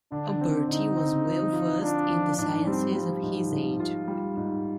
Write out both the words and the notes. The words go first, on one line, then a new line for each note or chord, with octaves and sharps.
Alberti was well-versed in the sciences of his age.
D3 D4
C4
D3 D#4
C4
F3
F4
D4 F4
F3
G#2 D4
G3 C4
F3 G3
G#2
G#2
F4
G3
G#2